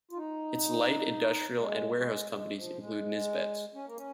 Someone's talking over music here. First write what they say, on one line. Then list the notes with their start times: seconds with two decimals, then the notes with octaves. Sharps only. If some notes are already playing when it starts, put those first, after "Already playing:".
Its light industrial and warehouse companies include Nisbets.
0.11 F4
0.17 D#4
1.60 G#3
1.95 G#3
2.31 G#3
2.56 F3
2.79 G#3
3.75 C#4
3.86 A#3
3.96 C#4